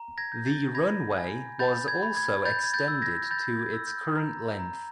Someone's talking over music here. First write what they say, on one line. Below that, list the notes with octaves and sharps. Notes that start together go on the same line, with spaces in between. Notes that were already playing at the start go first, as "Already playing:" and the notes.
The runway was also extended to its current length.
Already playing: A#5
G#6 A#6
G6
G6 A6
B5 G#6 A#6
G#5
B5 G6 A6
G#6
B5
G#6
B5 G6 A6
G#6
G6 A6
E6
G#6 A#6
B5 G6 A6
G#6
E6
G6
A#5
A#5